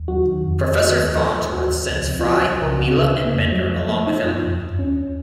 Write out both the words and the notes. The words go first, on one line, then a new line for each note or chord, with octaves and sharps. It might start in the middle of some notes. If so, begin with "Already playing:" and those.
Professor Farnsworth sends Fry, Leela, and Bender along with him.
Already playing: D#2
F#3 F#4
D#3
F2
F2
D#3 F#4
D#2
F3 A4
F3
D#2 F#4
F3
C#2
C3
F4
F3 F#4
C2
C#3 A#4
C#2 F#4
C#3
C#3
A#3
F2 A3
F2 F#3
F3 A3
F3 A#3
F3 D#4
F#2 F4
F2
F2
D#2 C#4